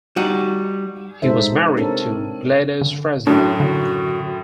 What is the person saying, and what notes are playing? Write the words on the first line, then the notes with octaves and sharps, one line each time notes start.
He was married to Gladys Frazin.
G3 D#4 F#4
C3 G#3 D#4 A4 C5 E5
C4 D4 A4 A#4 C#5
D3
F#2 A2 D4 F#4
D3